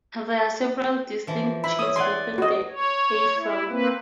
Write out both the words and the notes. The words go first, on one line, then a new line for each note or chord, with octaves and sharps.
There are several distinct chains within the Eifel.
E3 F3
E4 B5
C#5 D#6
D5 F#5 G#5 C6
F#4 D#5
C#5
E4
A#3 C4 B4